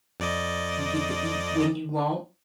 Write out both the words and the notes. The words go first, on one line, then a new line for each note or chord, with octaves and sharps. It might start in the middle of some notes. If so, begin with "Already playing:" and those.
you get to eat when you want
F2 D5 D#5